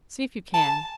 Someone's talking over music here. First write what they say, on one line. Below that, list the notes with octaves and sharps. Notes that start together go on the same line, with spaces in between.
"See if you can."
A5